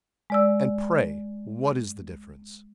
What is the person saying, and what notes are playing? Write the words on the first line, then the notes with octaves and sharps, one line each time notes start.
"And, pray, what is the difference?"
G#3 D5 E6